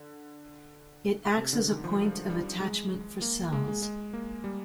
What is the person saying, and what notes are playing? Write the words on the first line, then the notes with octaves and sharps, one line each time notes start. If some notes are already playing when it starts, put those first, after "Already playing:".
It acts as a point of attachment for cells.
Already playing: D3
C3
D3
D#3
F3
G3
G3
G#3
A#3
G#3
G#3
G#3
A#3
G3